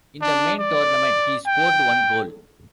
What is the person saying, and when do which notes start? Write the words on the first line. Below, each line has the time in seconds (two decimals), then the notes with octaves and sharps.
In the main tournament he scored one goal.
0.22 D4
0.59 D5
1.46 G5